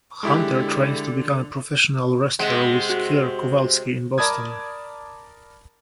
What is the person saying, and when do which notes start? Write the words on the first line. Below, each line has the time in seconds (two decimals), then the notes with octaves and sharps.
Hunter trained to become a professional wrestler with Killer Kowalski in Boston.
0.23 D3 G#3 E4 G4
2.39 C3 G#3 F#5
2.89 F#4
4.18 A#4 D5 A5 B5 D#6 G#6